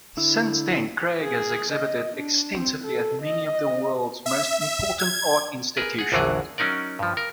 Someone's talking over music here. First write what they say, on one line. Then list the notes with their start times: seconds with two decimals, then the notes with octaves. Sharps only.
Since then Cragg has exhibited extensively at many of world's most important art institutions.
0.17 D3 E4
1.23 G#4
1.73 D#5
2.17 D4
2.54 C4
2.84 A4
3.22 D#5
4.26 E5
4.61 E5
4.99 G#6
5.77 G#4 A#4 B4
5.98 G#4 F#5
6.12 A#1 E2 D3 F#3 G#4
6.58 F#3 C#4 D#4 A#4 D5
6.99 G2 F3
7.17 A#4